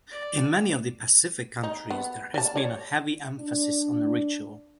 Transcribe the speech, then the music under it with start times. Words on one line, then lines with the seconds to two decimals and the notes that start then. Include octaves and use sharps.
In many of the Pacific countries, there has been a heavy emphasis on ritual.
0.11 D5
1.63 D#4
1.90 B3
2.34 D5 A5
2.56 C#5 D5
3.40 D4